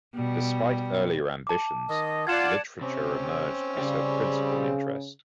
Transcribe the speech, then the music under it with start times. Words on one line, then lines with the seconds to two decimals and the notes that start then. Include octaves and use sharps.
Despite earlier ambitions, literature emerged as her principal interest.
0.14 B2 G3
1.47 A5 D6
1.89 D#3 D#5
2.27 F4 D5 F#5 G#6 E7
2.81 C3 C4 C#4
3.78 C#3 G4 D5